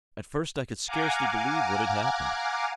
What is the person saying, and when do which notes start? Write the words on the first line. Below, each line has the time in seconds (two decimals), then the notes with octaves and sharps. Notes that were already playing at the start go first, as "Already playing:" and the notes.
At first I could scarcely believe what had happened.
0.87 F5 F#5 G#5 A#5 D6